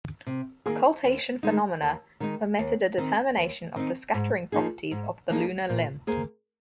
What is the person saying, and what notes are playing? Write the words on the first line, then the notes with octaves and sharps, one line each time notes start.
Occultation phenomena permitted a determination of the scattering properties of the lunar limb.
C3
D#3 A#3 G#4
D#2
D#3 G#3 D#4
D#2
D#3 G#3 D#4
D#2
D#3 C4 D#4
D#2
D#3 C4 D#4
G#2
F3 A#3 D#4 G#4
G#2
F3 A#3 D#4 G#4
A#2
A#3 G#4 C5